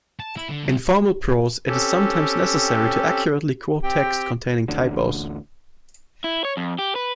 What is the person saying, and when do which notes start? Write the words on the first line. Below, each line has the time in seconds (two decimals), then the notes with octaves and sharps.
In formal prose, it is sometimes necessary to accurately quote text containing typos.
0.20 A5
0.37 E4
0.49 D3
0.64 C2
1.68 C4 C#4 G4 A4
3.83 C4 G4 G5
4.68 A1 D2 A2 D3
6.24 E4
6.45 C#5
6.57 F2
6.79 G4
6.95 B4